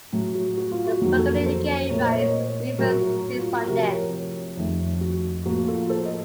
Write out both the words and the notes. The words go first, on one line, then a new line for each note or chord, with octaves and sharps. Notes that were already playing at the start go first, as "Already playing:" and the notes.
The burgeoning gay rights movement seized on this.
A2 F#3 A3
F#4
F#4
F4
F#4
F2 D#3 F#3 A#3 F#4
A4
A#4
A4 C5
A#2 A3 A#4 C#5
C5 D#5
A#4 C#5
A2 F#3 A3 F#4 A#4
F#4
F4
F#4
C3 F3 A3 F#4 A#4
A#4 C#5
F2 D#3 A3
F#4
A2 F3 A#3 F#4
F4 A4
A4 C5
D#5